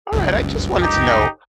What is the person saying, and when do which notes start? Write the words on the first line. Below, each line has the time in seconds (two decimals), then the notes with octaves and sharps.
Alright, I just wanted to know,
0.13 F#1 C#2 G2
0.81 D#4 G4